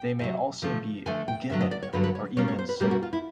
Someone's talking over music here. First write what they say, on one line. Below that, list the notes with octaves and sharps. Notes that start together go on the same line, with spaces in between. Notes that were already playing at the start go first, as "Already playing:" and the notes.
They may also be "given" or even sold.
Already playing: G5
C3 D#3 F#3
D3 F3 A3
D3 F3 A3 G#5
G5
G2 D3 F#3 E5
D#5
D5
C#5
G2 D3 F#3 B4
B4
C#5
B2 G3 A#3 C#4 C#5
C#5
C5
B4
B2 G3 A#3 C#4 G4
F#4
F4
E4